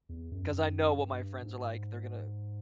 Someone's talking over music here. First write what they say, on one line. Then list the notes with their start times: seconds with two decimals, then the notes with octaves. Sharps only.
'cause I know what my friends are like. They're gonna
0.09 E2
0.31 F#2
0.98 G2
1.42 G#2